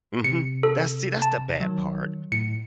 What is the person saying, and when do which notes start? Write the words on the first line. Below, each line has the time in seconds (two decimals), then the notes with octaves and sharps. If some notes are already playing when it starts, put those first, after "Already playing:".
Mhm, that's see, that's the bad part.
0.24 C3 C#7
0.63 A4
1.22 A5
1.60 D#3 F#3
2.32 A2 C#7